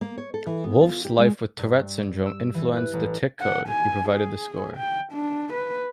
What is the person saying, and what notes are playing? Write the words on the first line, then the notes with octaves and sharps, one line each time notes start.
Wolff's life with Tourette syndrome influenced "The Tic Code"; he provided the score.
A#3
C#5
A4
E3
B3
F4
G4
G#3
G2
E6
E3
B4
A1
F#5
G#5
G#4
G5
D4
B4